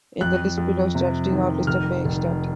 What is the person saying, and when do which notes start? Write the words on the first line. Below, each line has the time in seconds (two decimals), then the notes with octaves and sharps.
In the list below, statutes are listed by X Stat.
0.21 F2 F#6
0.58 F2
0.95 C3
1.31 D#3
1.67 F1 F6
2.05 F1